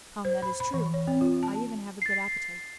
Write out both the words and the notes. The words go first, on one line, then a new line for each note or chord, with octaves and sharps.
"Come, that is true; I even have a good appetite."
C5
B5
B5
E3
C#5
C4
F4
A5
A6 C7